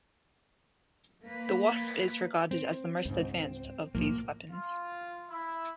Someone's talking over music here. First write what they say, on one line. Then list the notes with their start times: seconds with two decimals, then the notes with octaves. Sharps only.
The Wasp is regarded as the most advanced of these weapons.
1.24 A#3 B4
2.51 C4
3.05 C#2 G#2
3.95 B1 A2 F3 A#3
4.51 F4
5.30 E4